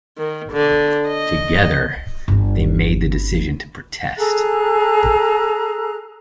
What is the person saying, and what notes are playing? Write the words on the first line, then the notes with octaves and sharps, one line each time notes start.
Together they made the decision to protest.
D#3
D3
D#5
G1 C4
G#4 A4 A#5 F#6